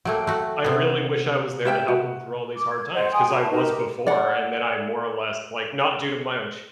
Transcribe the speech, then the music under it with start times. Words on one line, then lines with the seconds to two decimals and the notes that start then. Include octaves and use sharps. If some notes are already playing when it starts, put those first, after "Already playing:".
I really wish I was there to help him through all these hard times 'cause I was before, and then I more or less like, not due to my own,
0.05 F#3 A3 A#3 G5
0.27 A3 F#4
0.64 C3 B3
1.65 G4 E5 G5
1.88 F#4
2.57 D6
2.70 G#6
2.93 C5 D#5 F#5
3.12 G5 G#5 C6 D#6
3.29 F#4 A5 B5
3.51 D#4 G4 A#4 D#5
4.07 D5 F#5